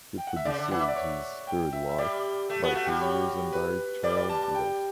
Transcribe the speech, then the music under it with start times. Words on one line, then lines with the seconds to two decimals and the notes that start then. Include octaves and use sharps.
He predeceased his third wife by three years and died childless.
0.18 G5
0.27 F#5
0.36 E5
0.45 C#3 D5
0.58 D3
0.71 E3 F#5
0.80 E5
0.88 D5
0.96 C#5
1.47 G5
1.73 E5
1.89 E5
1.98 G3 D5
2.50 A3
2.63 B3 F#4
2.75 A3
2.85 G3 G4
3.01 C#5
3.53 B4
4.03 G3 D5
4.17 D5
4.30 A5
4.42 A5
4.55 G5